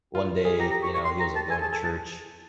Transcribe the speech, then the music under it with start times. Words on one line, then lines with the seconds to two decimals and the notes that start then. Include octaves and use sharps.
one day, you know, he was, like, going to church
0.15 F4
0.45 G#4
0.60 G4 A#5
0.71 A#5
0.83 C#6
0.94 C#6
1.05 C6
1.20 A#5
1.36 A5
1.50 A4 G#5
1.61 G#4 A5
1.72 A4 G#5
1.84 G#4 A5